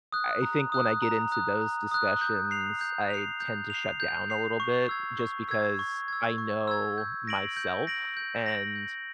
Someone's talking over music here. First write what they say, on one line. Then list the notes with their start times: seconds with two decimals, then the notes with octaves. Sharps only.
eI think when I get into those discussions, I tend to shut down a little bit just because I know myself, and
0.12 D#6 F#6
0.42 A#5
0.72 D#6 F#6
1.02 A#5
1.32 D#6 F#6
1.62 A#5
1.91 D#6 F#6
2.21 G6
2.51 C7 F7
2.81 G6
3.10 C7 F7
3.41 G6
3.70 C7 F7
4.00 G6
4.30 C7 F7
4.60 C#6
4.89 E6 G#6
5.19 C#6
5.49 E6 G#6
5.79 C#6
6.08 E6 G#6
6.38 C#6
6.68 E6 G#6
6.98 G6
7.27 A#6 D7 F#7
7.57 G6
7.87 A#6 D7 F#7
8.17 G6
8.46 A#6 D7 F#7
8.76 G6